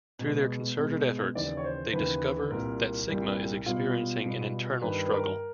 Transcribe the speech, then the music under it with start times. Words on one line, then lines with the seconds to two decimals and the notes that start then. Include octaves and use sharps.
Through their concerted efforts, they discover that Sigma is experiencing an internal struggle.
0.19 B2 G#3 B3
0.77 B2 G#3 B3
1.35 D#2 C#3 E3 D5
1.57 C#5
1.64 C5
1.93 D#2 C#3 E3 B4
2.50 C2 A#2 G3 A#4
3.08 C2 A#2 G3
3.66 B2 G3 B3 F4
4.23 B2 G3 B3
4.81 G2 D#3 G3 B4
5.07 B4
5.11 A#4